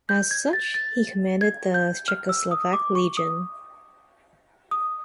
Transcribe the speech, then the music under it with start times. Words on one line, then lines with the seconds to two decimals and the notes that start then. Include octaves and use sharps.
As such, he commanded the Czechoslovak Legion.
0.09 G6
0.31 G#6
0.53 A6
0.74 A6
1.41 G#6
1.74 G6
2.08 F6
2.29 E6
2.51 D#6
2.73 D6
2.95 C#6
3.17 D#6
4.71 D#6